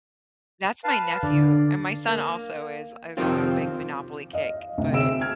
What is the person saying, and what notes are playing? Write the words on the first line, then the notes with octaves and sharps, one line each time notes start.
That's my nephew. And my son also is is on a big Monopoly kick, but
B4 F5 A5
D3 D5
A#3
F2 C3 D#3 F3 C4 F4
D#5 F5
D2 C3
C4 G#4 E5 E6 D7 E7
F6 G#6